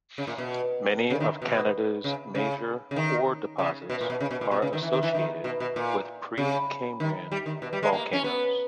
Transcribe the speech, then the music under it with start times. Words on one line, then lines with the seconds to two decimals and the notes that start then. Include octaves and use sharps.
Many of Canada's major ore deposits are associated with Precambrian volcanoes.
0.18 C#3
0.27 A#2
0.38 B2
1.10 C#3
1.20 D#3
1.42 B2
2.04 C#3
2.35 C#3
2.91 C#3
2.96 D#3
3.59 C#3
3.90 B2
4.01 A#2
4.10 B2
4.21 C#3
4.31 B2
4.41 A#2
4.51 B2
4.62 C#3
4.73 D#3
4.82 E3
4.93 D#3
5.03 E3
5.14 D#3
5.44 B2
5.60 B2
5.76 A#2
6.38 C#3
7.00 D#3
7.32 G3
7.46 D#3
7.62 B2
7.73 G3
7.83 G#3
7.93 A#3
8.13 C#4
8.24 B3